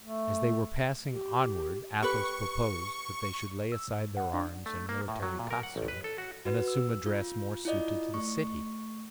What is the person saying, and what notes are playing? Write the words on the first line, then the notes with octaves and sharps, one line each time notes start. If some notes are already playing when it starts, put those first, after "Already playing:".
As they were passing onward, Athos proposed that they should lay aside their arms and military costume, and assume a dress more suited to the city.
A3
G4
G4 B4 C#6
E6
G#2
F#5
D4
A3
A#3
A2
F#3
A#2
A#4
F#5
A1
B4
A4
F#4
F#4 B4
E6
F4
E4 F4 D5 D#5
A3 C#6